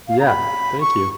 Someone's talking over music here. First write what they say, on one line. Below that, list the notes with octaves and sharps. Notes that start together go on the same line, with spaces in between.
Yeah, thank you.
F5
A#5
B5
C#6